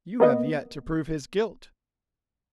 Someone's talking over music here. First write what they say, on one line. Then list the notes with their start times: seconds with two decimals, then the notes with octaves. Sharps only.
"You have yet to prove his guilt."
0.20 A#3 B3 D#5